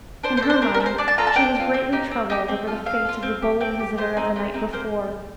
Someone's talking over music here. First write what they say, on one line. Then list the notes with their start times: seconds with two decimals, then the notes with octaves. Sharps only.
In her mind she was greatly troubled over the fate of the bold visitor of the night before.
0.23 D4 C5
0.37 C5
0.42 A4
0.50 C5
0.62 D4 A#4
0.74 A#4
0.80 A4
0.86 C5
0.98 D4 D5
1.08 A5
1.18 F4 A4 A#5
1.27 A5
1.36 D4 G5
1.55 F4 A4
1.74 C4
1.92 D#4 G4
2.11 C4
2.30 D#4 G4
2.48 C4
2.67 F4 A4
2.86 C4 F5
3.05 F4 A4
3.23 C4
3.42 G4
3.60 C4 G5
3.80 G4
3.98 A3 C5
4.16 C4 D#4
4.36 A3
4.54 C4 D#4
4.73 A#3 C5